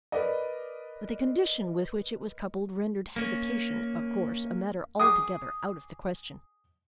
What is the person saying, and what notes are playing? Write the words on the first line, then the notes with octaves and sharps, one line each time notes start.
But the condition with which it was coupled rendered hesitation, of course, a matter altogether out of the question.
A#4 B4 D5 D#5
A#3 C#4
G#4 D6 D#6